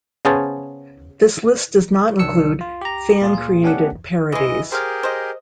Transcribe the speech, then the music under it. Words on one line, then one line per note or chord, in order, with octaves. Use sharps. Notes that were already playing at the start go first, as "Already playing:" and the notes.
This list does not include fan created parodies.
C#3 B3 C#4 G#4 C5 A5
C2 D#3 F#3 D4 E6 C#7
F4
G4 A#5
A#2 F4 G#4
A3 B3 C#4 D4 G4 F#5
E3 G#3 D#5
G4 G#4 A#4 C5 F5
C5 D#5